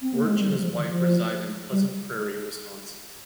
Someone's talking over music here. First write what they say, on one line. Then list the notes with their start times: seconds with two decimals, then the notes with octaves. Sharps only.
Wirch and his wife reside in Pleasant Prairie, Wisconsin.
0.02 C4
0.14 A#3
0.26 G#3
0.38 G3
0.50 F3
0.58 G3
0.64 F3
0.77 D#3
0.91 F3
1.72 G3